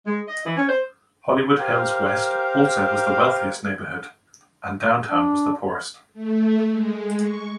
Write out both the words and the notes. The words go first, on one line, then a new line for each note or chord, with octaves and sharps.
Hollywood Hills West also was the wealthiest neighborhood, and Downtown was the poorest.
G#3
D#5
E3
C#4
C5
G4 A#4 C5 F5
D4
A3
G#3
C#6